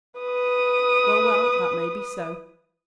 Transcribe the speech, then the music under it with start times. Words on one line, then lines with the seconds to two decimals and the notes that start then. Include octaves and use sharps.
Well, well, that may be so.
0.20 B4 D#6